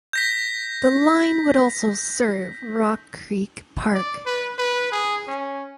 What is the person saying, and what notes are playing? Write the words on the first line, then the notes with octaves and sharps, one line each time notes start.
The line would also serve Rock Creek Park.
G6 A#6 B6
D5
B4
B4
G#4
C#4